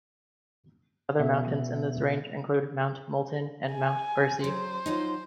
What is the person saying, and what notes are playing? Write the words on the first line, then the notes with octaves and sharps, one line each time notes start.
Other mountains in this range include Mount Moulton and Mount Bursey.
B2 B3 E5
G#5
F#3 C5
F3 F#3 D#4